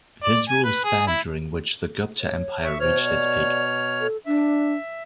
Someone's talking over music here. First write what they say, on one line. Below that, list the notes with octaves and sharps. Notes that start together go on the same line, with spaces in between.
His rule spanned during which the Gupta Empire reached its peak.
D5
G#5
B4
G#4
E4
C#5
E5 C#6
B2 C5 C#5 F6
D5
A4
D4 E5